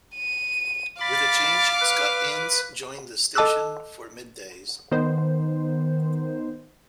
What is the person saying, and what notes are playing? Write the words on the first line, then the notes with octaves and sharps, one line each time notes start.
With the change, Scott Innes joined the station for middays.
D#7
F5 B5 D6 A6
B4
A4 D#5 A5 D6 E6 F#6
D#3 B3 C5